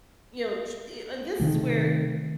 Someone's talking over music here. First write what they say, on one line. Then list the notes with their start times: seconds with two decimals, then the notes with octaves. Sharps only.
you know, t and this is where,
1.40 C3 D#3 A3